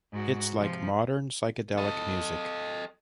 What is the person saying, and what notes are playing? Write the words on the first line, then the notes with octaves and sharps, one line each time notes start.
It's like modern psychedelic music.
G#2 F#4
C3 F3
A4 D#5